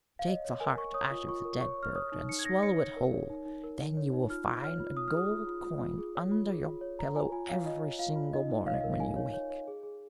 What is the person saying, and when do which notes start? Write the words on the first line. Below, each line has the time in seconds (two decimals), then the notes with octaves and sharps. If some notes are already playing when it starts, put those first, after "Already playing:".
Take the heart out of the dead bird and swallow it whole, then you will find a gold coin under your pillow every single morning when you wake.'
0.19 F5
0.28 C#5 D#5
0.45 C#5
0.60 A#4 G#5
0.77 A#4 C#6
0.94 C#5 D#6
1.11 F4
1.28 F4 C#6
1.45 A#4
1.61 C#5 C#6
1.78 C#5 F6
1.95 C#5 D#6
2.12 D#4
2.29 D#4 C#7
2.39 G#6
2.45 D#4 A#6
2.63 C#5 C#7
2.79 C#5
2.96 A#4
3.12 C#5
3.30 D#4
3.46 D#4
3.64 A#4
3.79 D#4
3.97 C#5
4.13 D#4
4.30 F4 F6
4.47 F4
4.63 C#5 F6
4.80 F4
4.97 F4 D#6
5.08 F6
5.14 G#4 D#6
5.31 F4
5.47 F4
5.64 F4
5.81 F4
5.98 G#4
6.15 C#5
6.31 F4
6.49 G#4
6.66 F4
6.81 C#5
6.99 C#5 A#5
7.16 F4 G#5
7.32 F4 G#5
7.49 C#5 F5
7.65 F4 D#5
7.83 C#5
7.99 F4 F5
8.16 F4
8.33 D#4 D#5
8.50 D#4
8.66 C#5 F5
8.74 D#5
8.81 F5
8.84 A#4
8.93 F5
8.99 D#4 G#5
9.16 C#5
9.34 C#5
9.50 C#5
9.68 G#4
9.83 G#4